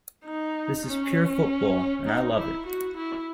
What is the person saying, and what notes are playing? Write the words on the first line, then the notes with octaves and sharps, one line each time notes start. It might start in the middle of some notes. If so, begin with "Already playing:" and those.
This is pure football and I love it.
D#4
C#4
D#4
E4
F#4
E4